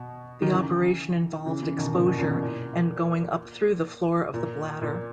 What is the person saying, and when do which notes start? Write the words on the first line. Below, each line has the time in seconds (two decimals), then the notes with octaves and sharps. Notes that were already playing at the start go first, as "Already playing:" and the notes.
The operation involved exposure and going up through the floor of the bladder.
Already playing: B2
0.42 D#3
0.51 C#3 E3
1.46 C#3 E3
1.62 C#3 E3
1.78 B2 D#3
1.95 A#2 C#3
2.07 B2
2.19 A#2 C#3
2.31 B2
2.43 A#2
4.34 A#2
4.81 A#2